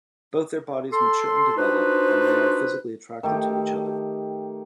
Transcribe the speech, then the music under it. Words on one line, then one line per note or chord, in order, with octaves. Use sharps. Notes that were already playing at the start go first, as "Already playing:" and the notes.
Both their bodies mature and develop, and they are physically attracted to each other.
A4 C6
D4 D#4 F4 F#4 B4 C5
D#3 A3 G4